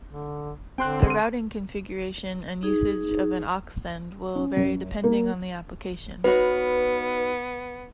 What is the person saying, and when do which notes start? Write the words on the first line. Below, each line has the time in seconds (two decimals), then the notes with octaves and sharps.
The routing configuration and usage of an aux-send will vary depending on the application.
0.07 D3
0.78 D3 C4 G5 C6 F#6
1.07 C6 D#7
2.63 D#4 G#4
4.35 C#4
4.57 F#2
5.04 A#3
6.24 B3 D#4 F#4 B4 C#5